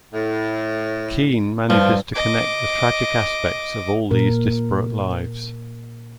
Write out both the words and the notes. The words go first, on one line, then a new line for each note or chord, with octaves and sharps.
Keen manages to connect the tragic aspects of all these disparate lives.
A2
G2 F3
D#5 D6
A#2 A#4